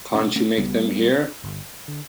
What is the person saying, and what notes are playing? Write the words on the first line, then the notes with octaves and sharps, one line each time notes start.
Can't you make them hear?
B2 A3 C#4
A3 C#4
C#2 G3 B3
B2
G1
D3